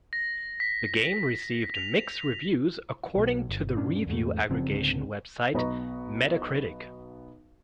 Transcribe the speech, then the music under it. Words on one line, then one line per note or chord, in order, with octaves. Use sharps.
The game received "mixed" reviews according to the review aggregation website Metacritic.
A#6
B6
F7
B1 B2
G1
G2 B2 C#4 D4
E2 G#2 A3
F#1 C#3 F3 C4
C#2 G#2 D3 C4
B1 B3 B4 D#5 A#5 C#6